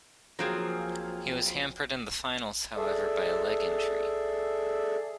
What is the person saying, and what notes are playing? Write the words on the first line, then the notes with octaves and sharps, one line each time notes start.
He was hampered in the finals, however, by a leg injury.
F3 F#3 A#3 C4 G#4
G#4 A4 D5 E5